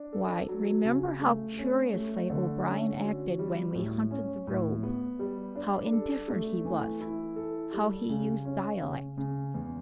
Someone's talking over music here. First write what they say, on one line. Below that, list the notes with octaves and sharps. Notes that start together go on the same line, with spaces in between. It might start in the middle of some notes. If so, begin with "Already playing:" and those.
"Why, remember how curiously O'Brien acted when we hunted the robe--how indifferent he was--how he used dialect!"
Already playing: D4
A4
F#3
C#3
A3
C#4
A3
D3
C#4
F#4
G3
A2
C#4
A2
B3
G3
D4
A4
A3
E3
E4
A4
G3
C#3
C#4
C#3
C#3
E2